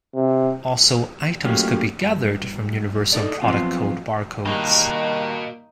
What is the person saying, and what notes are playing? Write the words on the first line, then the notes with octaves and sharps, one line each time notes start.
Also items could be gathered from Universal Product Code barcodes.
C3
F#3 A3 A#3 C#4 F4 G4
G2
D#4 A4 D5
F#2 F3 G3 B3 C4 F4
G2 D#3 A#3 F#4 D#5 F7